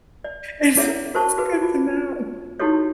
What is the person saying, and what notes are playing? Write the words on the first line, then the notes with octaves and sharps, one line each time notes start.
It's so it's good to know.
D5
E4 G#4 C#5 D5 E5 F#5
F#4 A#4 C5 A5 C#6
F#4 G#4 B4
F4
D#4 E4 F#4 G4 A4 C#5